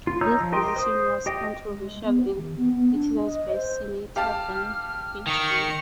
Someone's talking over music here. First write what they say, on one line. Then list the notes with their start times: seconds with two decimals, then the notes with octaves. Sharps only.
This decision was controversial and criticized by Senator Dianne Feinstein.
0.07 F4
0.21 D#4 C#5 A#5 E6 G6
0.40 F3
0.52 G4 A#4 D#5 G5 C6
0.76 C5 D#6
1.26 G4 D#5 G5
1.69 G#3
2.04 B3
2.24 G4
2.37 D#3
2.56 B3
2.74 B3
2.93 D4
3.22 D#5
3.53 C5
4.16 G4 F5 A5 F6
5.27 D#3 G5 C#6 C#7